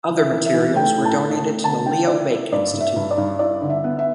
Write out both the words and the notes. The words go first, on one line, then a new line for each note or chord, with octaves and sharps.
Other materials were donated to the Leo Baeck Institute.
E3
E5
E3
E5
E3
A3 G5
A2
A5
A3
A3
D3 A5
D3 G5
E4 D5
E4
G2 D5
G2
E5
G2
D5
G2
E4 D5
D3
E5
B3
E5